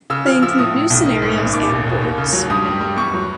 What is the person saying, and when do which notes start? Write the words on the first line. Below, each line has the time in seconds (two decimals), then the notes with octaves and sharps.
They include new scenarios and boards.
0.10 C#3 E6
0.26 F3 F6
0.42 F3 E6
0.58 A2 D#6
0.74 A2
0.90 B1
1.06 D#3
1.22 G#2
1.38 A1
1.53 D#2 D6
1.69 E1
1.86 E1
2.02 D#2
2.18 C#3
2.33 F#3
2.50 G2 D#6
2.65 G3
2.81 G3
2.97 E2 C#6
3.14 F#3